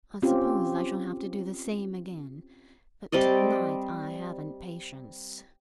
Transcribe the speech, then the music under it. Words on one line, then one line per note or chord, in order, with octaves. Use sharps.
I suppose I shall have to do the same again, but to-night I haven't patience.
C4 C#4 F4 G4
G3 C4 D5 D#5